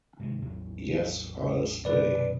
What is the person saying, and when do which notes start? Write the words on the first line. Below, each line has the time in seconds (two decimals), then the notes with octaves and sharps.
Yes, I'll stay.
0.19 G#2 C3 D#3
0.42 A1 E2 F#3
1.85 B1 F#2 C3 B4 D5